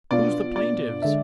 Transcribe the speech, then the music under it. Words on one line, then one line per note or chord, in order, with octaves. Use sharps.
'Who's the plaintives?
B2 B3 D4 F4 D5
D5
D3 G#3 E5